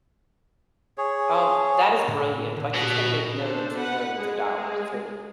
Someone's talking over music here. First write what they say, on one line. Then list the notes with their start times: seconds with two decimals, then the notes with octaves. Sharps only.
Um, that is brilliant. Like, she's gonna make millions and millions of dollars, seriously.
0.98 G#4 C#5
2.08 A2 D3
2.57 A#2 D3
2.74 B2
3.39 D4 A4 C5
3.75 B4 F#5
4.18 G#3 G#4